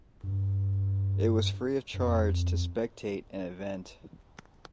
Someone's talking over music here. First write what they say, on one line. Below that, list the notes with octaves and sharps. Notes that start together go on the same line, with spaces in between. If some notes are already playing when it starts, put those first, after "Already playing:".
It was free of charge to spectate an event.
G2
G2
F2